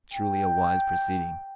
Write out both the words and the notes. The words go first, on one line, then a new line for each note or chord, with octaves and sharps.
Truly a wise proceeding!
G5